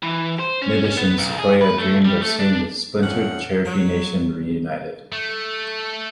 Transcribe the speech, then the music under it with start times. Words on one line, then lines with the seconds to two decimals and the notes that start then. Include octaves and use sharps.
In addition, Sequoyah dreamed of seeing the splintered Cherokee Nation reunited.
0.03 E3
0.39 C5
0.62 C#4
0.85 C#4
0.97 B3
1.18 B1
1.39 G#4
1.61 B4
1.78 A3
2.05 G3
2.22 A3
2.39 D4
3.02 F2 A#2 E3 C#4 D4 F#5
3.65 F#3
5.12 A3